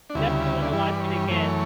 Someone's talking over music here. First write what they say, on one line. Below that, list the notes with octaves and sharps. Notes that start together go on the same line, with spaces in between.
defintietly wanna watch it again.
D4
D2 C#3 G3 E4
D4
G2 E3 G3 E4
D5
B4
C#5
C#5
F#2 E3 A3 C#5